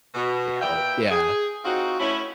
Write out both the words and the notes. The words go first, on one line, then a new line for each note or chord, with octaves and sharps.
they helped yeah.
B2
A#2 B4 E5 G5
G#4
C4 D#4 F4 F#4
A3 C#4 E4